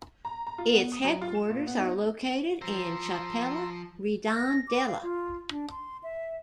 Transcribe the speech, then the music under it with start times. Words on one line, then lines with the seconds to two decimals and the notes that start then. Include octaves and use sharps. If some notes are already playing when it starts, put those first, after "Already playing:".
Its headquarters are located in Chapela, Redondela.
0.25 A#5
0.47 A#5
0.58 F4
0.74 B3
0.92 D#6
1.04 F#3
1.22 F4
1.35 E7
1.50 A#2
1.67 B3
1.79 D#4
2.61 F3 C5 A#5 C6 E6
4.36 A#6
4.67 D6
4.87 F5
5.03 F4
5.50 D4
5.71 C6
6.03 E5